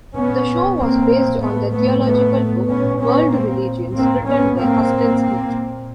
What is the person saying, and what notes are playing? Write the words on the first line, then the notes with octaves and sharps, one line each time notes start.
The show was based on the theological book, "World Religions", written by Huston Smith.
A#2 B3 C#4
A#3 C4
A2 A3 B3
A3 B3
A3 B3
A#2 B3 C#4
B3 C#4
A#3 C4
A2 A#3 C4
B3 C#4
A#3 C4
A#2